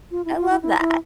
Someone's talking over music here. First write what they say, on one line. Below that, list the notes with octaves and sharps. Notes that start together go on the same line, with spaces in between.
I love that.
F4
E4
F4
E4
E4
E4